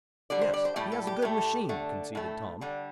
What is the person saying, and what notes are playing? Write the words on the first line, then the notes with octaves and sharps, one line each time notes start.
"Yes, he has a good machine," conceded Tom.
D3 G3 D5
C5
D5
C5
A2 G3 G4
A4
G4
A2 A3
D3 A3
A2 A3
D3 G3